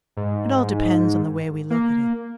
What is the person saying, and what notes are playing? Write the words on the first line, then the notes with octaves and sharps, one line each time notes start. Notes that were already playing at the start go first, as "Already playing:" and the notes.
It all depends on the way we look at it.
G#2
A#3